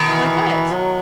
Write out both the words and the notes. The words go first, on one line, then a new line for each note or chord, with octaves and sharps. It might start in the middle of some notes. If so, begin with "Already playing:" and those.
"Like what?"
Already playing: B2 D#3
E3
F#3